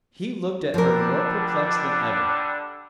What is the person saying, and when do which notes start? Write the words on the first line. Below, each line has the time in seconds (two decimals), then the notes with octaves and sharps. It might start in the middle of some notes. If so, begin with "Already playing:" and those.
He looked at her more perplexed than ever.
0.74 D3 F3 G3 D4 A#4